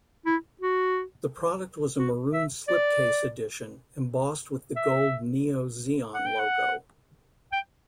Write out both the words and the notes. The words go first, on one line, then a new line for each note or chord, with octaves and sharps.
The product was a maroon slipcase edition embossed with the gold Neo Zeon logo.
E4
F#4
F#4
E5
D5
E5
F#5
G5
F#5
G5